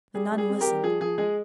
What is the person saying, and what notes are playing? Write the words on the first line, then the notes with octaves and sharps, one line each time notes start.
The nun listened.
G3 G#4
G3
G#4
C4
G4 A#4
G3
F3 G#4
F3 G#4
G#3 G#4